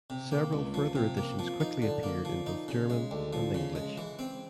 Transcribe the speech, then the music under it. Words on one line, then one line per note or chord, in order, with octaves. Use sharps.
Several further editions quickly appeared in both German and English.
C3
A#3
C#2
F3
C3
A#3
F3
D#4
D3
A#3
F3
D#4
C#3
G#3
D2
F3
C#3
G#3
E3
C4